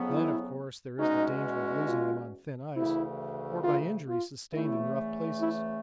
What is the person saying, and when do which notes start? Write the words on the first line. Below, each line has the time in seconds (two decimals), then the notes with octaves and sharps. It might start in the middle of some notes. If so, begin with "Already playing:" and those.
Then, of course, there is the danger of losing them on thin ice or by injury sustained in rough places.
Already playing: F2 C#3 F#3 B3
0.10 E4
0.99 E2 B2 G#3 C#4 D#4 F#4
1.88 F4
2.75 D2 C#3 E3 A3 E4
3.64 F4
4.09 F4
4.53 E2 C#3 E3 A3 E4
5.40 E4